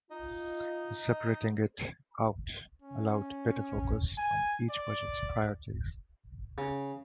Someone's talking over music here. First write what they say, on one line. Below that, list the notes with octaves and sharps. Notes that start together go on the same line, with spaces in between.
So separating it out allowed better focus on each budget's priorities.
D#4 F4 D#5
C#4
G#5
D5
C#3